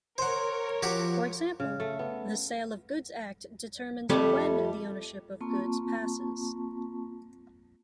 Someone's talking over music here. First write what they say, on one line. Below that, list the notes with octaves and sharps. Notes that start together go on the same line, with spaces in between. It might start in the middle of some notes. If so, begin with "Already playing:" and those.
For example, the Sale of Goods Act determines when the ownership of goods passes.
A#4 C5 C#5 F#5
F3 F#4 G4 F#5
C#3
A3
B3
F2 G3 A3
A#3 C4 F4 A5 C#6